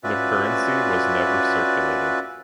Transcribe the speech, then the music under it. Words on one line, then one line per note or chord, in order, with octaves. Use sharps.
The currency was never circulated.
C#4 F4 F#4 B4 D5 E5